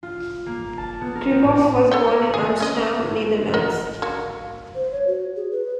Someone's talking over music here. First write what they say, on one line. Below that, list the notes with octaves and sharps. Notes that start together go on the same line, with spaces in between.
Krieghoff was born in Amsterdam, Netherlands.
F4
A#3
A5
B3
A#4
C4
A2
A4 C#5 G5
G#4
C#4 D#5
A#4 D#5 F#5
A#3 F#4
C5
C#5
F#4
G#4
B4